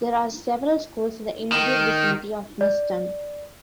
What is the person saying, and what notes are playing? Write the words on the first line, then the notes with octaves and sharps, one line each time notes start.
There are several schools in the immediate vicinity of Nesttun.
D#3
D5